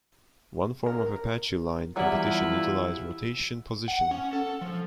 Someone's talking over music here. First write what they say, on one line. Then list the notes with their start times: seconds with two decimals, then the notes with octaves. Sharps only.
One form of Apache line competition utilized rotation positioning.
0.86 A#4
1.96 E2 E3 F#3 G3 E4 F4
3.88 F#5
4.11 C#4
4.33 A4
4.61 F3